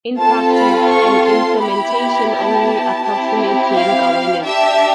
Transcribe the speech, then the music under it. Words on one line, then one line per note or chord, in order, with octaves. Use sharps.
In practice, an implementation only approximates link awareness.
C4 F4 A4 A5
B5
C#6
C6
B3 E4 G4 B5
A5
C4 E4 G4
F5
D4 G4 E5